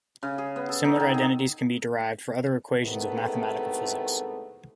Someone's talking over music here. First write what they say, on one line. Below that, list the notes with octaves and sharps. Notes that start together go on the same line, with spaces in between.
Similar identities can be derived for other equations of mathematical physics.
C#3
G#4
B3
A4
D#4
D#3
G#4
A2 C3 D#3 G#3 A3 B3